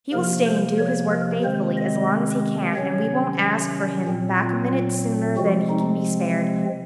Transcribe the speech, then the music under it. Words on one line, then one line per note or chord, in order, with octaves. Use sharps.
He will stay and do his work faithfully as long as he can, and we won't ask for him back a minute sooner than he can be spared.
C3 F3 A#3 A#4
C5
C#5
A#4
C3 D#3 G#3 C4 C5
D#5
C3 D#3 F#3 C#4 C#5
A#2 F#3 C4
F4
C3 F3 G#3 C4 F#4
D#4